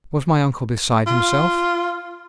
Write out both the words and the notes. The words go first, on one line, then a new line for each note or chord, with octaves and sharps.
Was my uncle beside himself?
F4